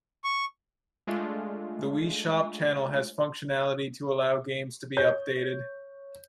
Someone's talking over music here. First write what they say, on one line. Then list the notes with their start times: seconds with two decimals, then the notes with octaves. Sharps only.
The Wii Shop Channel has functionality to allow games to be updated.
0.24 C#6
1.07 G#3 A3 D4 F4
4.97 C#5 G6